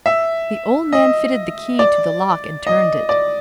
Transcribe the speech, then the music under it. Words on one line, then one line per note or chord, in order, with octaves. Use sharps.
The old man fitted the key to the lock and turned it.
E5
D#5
D5
D#5
D5